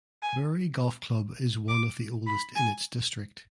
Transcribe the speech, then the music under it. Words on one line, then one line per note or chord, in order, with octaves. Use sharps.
Bury Golf Club is one of the oldest in its district.
G#5
D6
B5
G#5